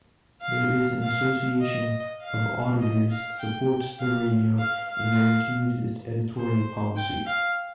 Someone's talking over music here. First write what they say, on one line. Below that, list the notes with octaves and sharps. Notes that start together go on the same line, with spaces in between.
There is an association of auditors supports the radio and guarantees its editorial policy.
F5
F5
D#5
F5
D#5
F5
G5
F5
F5
F5
C5
G5
F5